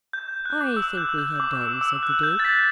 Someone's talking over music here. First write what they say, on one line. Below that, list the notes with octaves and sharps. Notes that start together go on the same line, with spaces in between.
"I think we had done," said the Duke.
G6
F#6
D6
E6
G6
G6
D6
E6
E6
F#6
G6
A6
B6